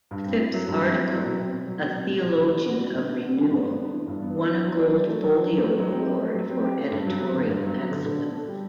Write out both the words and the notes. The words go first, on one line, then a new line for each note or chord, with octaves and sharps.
Phipps' article, "A Theologian of Renewal", won a Gold Folio award for editorial excellence.
G2
C4
E4
F#3
G2
C4
E4
F#3
B2
C4
B2
F#3
B2
C4
B2
F#3
D3
D4
F#4
G3
D3
D4
F#4
G3
G2
B3
D4
E3
G2
B3
D4
E3
F#3
D4
F#3
A3
F#3
D4
F#3
A3
F#3
C4
G4
A3
F#3
C4
G4
A3
G2
F#3
B3
D3
G2
F#3
B3
D3
D3
D4
A4
G3